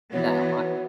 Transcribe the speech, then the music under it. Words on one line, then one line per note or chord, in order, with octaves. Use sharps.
No, I
E3 B3 F#4 C#5 F#5